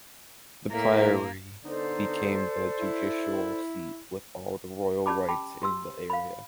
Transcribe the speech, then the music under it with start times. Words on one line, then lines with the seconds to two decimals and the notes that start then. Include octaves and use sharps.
The priory became the judicial seat, with all the royal rights in the area.
0.71 A2 A#3 A#4 E5
1.65 D3 B3 D#4 A4 C5 D5
2.80 E4
5.06 C#4 G4 D5 A5 B5 D6
5.29 G5 A5 B5 D6
5.62 G4 C6 E6
6.10 F5 B5